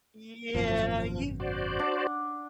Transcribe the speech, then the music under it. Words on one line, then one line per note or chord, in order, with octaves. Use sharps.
Yeah, you
G#1 F#2 B2 F3
F#4 C5 D5
D4 F#5